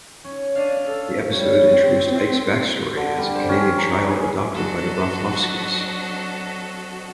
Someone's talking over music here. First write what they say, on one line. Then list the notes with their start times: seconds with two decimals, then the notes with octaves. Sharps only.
The episode introduced Ike's backstory as a Canadian child adopted by the Broflovskis.
0.24 C#4
0.55 D4 D5 F5 D#7
0.86 A4
1.31 G3 C#5
1.70 C4
2.17 C5 G#6
2.97 D3
3.18 G3
3.35 C5
3.49 C#4
3.77 A#5
4.10 G#4
4.54 F#3 C4 D4 F#4 A4 D#5